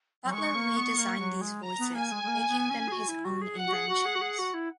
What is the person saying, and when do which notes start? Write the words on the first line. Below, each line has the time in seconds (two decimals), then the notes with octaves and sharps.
Butler redesigned these voices, making them his own inventions.
0.25 F#3
0.33 G#3 C#6
0.55 A#3
0.76 B3
0.98 A#3
1.19 F#3
1.41 G#3
1.63 A#5
1.79 B3
1.95 A#3 G#5
2.12 G#3
2.23 G#3
2.27 A#3
2.49 B3
2.70 C#4
2.87 G#4
2.92 F#4
3.08 E4
3.25 F#4
3.41 G#4
3.57 F#5
3.67 F#4
3.73 G#4
3.89 F#4
4.05 G#4
4.15 F#4
4.21 G#4
4.38 F#4
4.54 E4